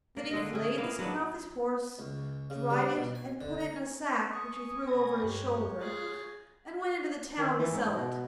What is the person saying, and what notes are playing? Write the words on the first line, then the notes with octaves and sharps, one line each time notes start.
Then he flayed the skin off his horse, dried it, and put it in a sack, which he threw over his shoulder, and went into the town to sell it.
A#3
D3 G#3 D#5
C#4 G#4
A#3 B3 F5
F#3 B3 D4
C#2
C#3
G3
B2
G#5
D3
A#5
G#5 C#6 D#6
B2 C#5 G#5 B5 D#6 A#6
G2 G#3 G4
F4 G#4 F#6 A6
D#3
E3
G#2
B2